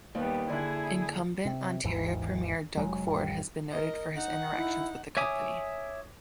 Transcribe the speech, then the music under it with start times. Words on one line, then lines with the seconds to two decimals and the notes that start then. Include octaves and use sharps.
Incumbent Ontario premier Doug Ford has been noted for his interactions with the company.
0.15 D#2 G3 B3
0.49 D3 E4 G#4 F#6
1.45 C3
1.84 G#1 D#2 G#2 E3
2.77 F1 E2 F#3 G#3
3.06 A1 F2 G3
3.70 A#4 D#5
4.15 D#4 F#5
4.56 E4
5.17 C#5 E5 G#5 D6 D#6